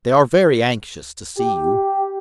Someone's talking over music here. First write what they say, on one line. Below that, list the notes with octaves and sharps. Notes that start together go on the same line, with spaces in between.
"They are very anxious to see you."
G4